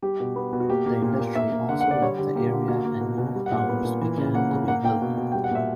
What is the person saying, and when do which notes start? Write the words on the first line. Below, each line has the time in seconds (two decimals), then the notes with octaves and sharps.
The industry also left the area and new towers began to be built.
0.02 G3 G4
0.20 B2
0.36 B3
0.53 B2
0.60 F#4
0.69 A#3 G4
0.86 A#3
1.02 A#2 G4
1.19 A#2
1.35 A#3 E5
1.52 A#3
1.69 D3 F#5
1.81 F#5
1.86 D3
1.91 D5
2.02 G3 C#5
2.18 D3 G4
2.36 A#3 G4
2.52 D3
2.68 A#3 F#4
2.85 A#3
3.01 B2
3.18 B2
3.35 G3
3.46 F#5
3.52 A#2
3.57 F#5
3.69 B3
3.85 A#2
4.01 E3
4.18 C#3
4.34 A#3 F#5
4.51 C#3
4.68 A#3 F#5
4.84 A#3 G5
5.02 B2
5.17 B2
5.32 G3 G5
5.44 F#5
5.51 A#2 E5